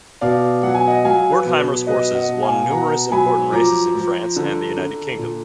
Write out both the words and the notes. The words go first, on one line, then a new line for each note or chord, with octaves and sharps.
Wertheimer's horses won numerous important races in France and the United Kingdom.
B2 D5 F5
F#3 F#5
G#5
D#5 F#5
F#3 F5 G#5
B4
B2
B4
F#3 B4 D#5
D#5 F#5
B2
F5 G#5
B2 F#5 A#5
F#3 G#5 B5
F3 A#5 D6
F3
D3
D3
A#2